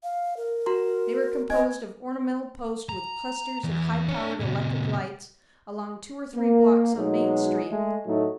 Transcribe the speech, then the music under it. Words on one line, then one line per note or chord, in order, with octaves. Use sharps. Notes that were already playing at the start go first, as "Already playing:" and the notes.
They were composed of ornamented posts with clusters of high-powered electric lights along two or three blocks on Main Street.
F5
A#4
F#4 A#5 C6
C4 D#5 G#5 G#6
A#5
E2
D4 C#5
A#2 C#3
A#3
B2 F#3 G#3 D#4
G#3 A3
A2 F#3 A3 D#4